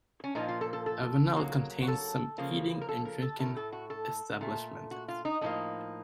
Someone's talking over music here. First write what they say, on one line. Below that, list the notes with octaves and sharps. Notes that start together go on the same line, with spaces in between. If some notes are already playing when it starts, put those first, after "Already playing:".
Avenal contains some eating and drinking establishments.
C#4
A#2 F3 A#3 D#4
F4
A4
A4
A4
C#3 F#3 A#3
F#4
A4
C#3 F3 A#3
A#4
A4
A#4
A4
A2 A3 A#4
A4
F#4
A4
A#2 A3
F#4
F4
D#4
A2 F3 A#3 D#4